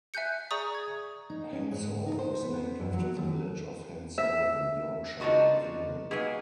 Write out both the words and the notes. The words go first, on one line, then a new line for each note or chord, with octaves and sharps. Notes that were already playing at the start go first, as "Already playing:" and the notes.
Hensall is named after the village of Hensall in Yorkshire, England.
E5 G#5 F#6 G6 C#7
G#4 D5 G#5 A#5 C#6 D#6
G#6
D#4
C#4
G#2
D#4
C5
B3
F#2
F#3
D#2
E5
D4 D#4 F4 F#4 D#5
F#3 A#3 D#4 G#4 B4 D#5